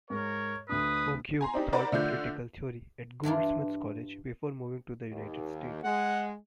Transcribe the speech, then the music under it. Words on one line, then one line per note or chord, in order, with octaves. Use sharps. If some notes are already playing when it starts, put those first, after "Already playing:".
Oguibe taught critical theory at Goldsmiths College before moving to the United States.
G#2 A#4 C#5
D2 D4 B4 D#6
G#5 A#5 C6
C4 D4 D#4 G4
A#4 C5 D5 F#5 B5
D3 A3 D4 F4 G6
G2 E3 D4 F4
D#2
G#3 F#5